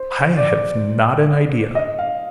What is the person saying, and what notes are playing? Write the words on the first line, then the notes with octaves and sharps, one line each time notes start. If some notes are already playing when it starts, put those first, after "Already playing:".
"I have not an idea."
Already playing: C5
D5
D#5
F5